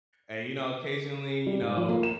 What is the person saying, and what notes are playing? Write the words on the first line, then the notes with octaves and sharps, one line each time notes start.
and, you know, occasionally you know,
G3
G#2
F3
A#3
E7